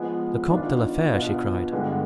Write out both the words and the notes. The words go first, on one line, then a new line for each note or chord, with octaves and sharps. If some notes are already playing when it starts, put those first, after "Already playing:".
"The Comte de la Fere!" she cried.
Already playing: F3 G#3 B3
D#3 B3 D4 F4
B2 B3 D4 F4
G2 D3 G#3 B3